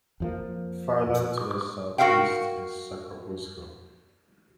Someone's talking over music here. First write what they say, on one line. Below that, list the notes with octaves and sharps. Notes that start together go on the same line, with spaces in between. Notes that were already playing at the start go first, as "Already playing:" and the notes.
Farther to the southeast is Sacrobosco.
F2 F3 A#3
F#4 A4 A#4 F5 G5